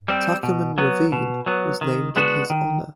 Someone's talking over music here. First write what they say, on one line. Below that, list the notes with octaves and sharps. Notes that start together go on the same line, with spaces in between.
Tuckerman Ravine was named in his honor.
G3 C4
B2
F#3 B3
B2
F#3 B3
D#3
G#3 B3 D4 F#4
D#3